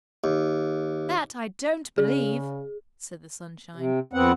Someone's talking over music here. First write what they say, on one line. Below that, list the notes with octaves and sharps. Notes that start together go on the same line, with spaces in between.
"That I don't believe," said the Sunshine.
D#2
C#3 G#4
C3
F2 B3 C4 F#5